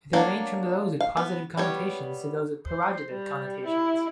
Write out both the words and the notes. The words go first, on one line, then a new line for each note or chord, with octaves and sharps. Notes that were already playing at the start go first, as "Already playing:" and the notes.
They range from those with positive connotations to those with pejorative connotations.
F#3 A#3 D4
F5
B3
G3 B3 C#5
C5
G3
E4